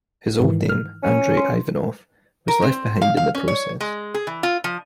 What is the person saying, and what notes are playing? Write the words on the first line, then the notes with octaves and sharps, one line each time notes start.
His old name, Andrei Ivanov, was left behind in the process.
G#2 D#3 E3
F6
C#4
C6
A#4
C4
F5
F5
C#4
C#5
G#3
G#4
E3
F4
F3